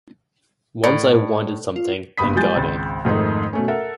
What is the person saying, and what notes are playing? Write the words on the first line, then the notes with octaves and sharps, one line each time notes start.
Once I wanted something and got it.
A2 D5
F4
F#1 G2 B3 B5 D#6 B6
F3 G3 G#3 G6 A6
G#1 C#2
F2 G#2 D#3 A3 D#4
B2 A3 C#4
A4 A#4 E5 F#5